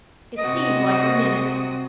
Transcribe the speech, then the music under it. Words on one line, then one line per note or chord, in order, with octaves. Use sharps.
It seems like a minute.
C3 F#4 D#5 D#6